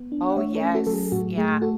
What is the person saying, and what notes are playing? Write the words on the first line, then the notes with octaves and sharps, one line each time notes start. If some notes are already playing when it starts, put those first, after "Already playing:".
Oh, yes, yeah.
Already playing: B3
D4
F#5
A3 C#5 E5
A4 C#5
C#4
F#4 A4
F#3 A4
G#4
A2 F#4
A3 G#4
F#4 A4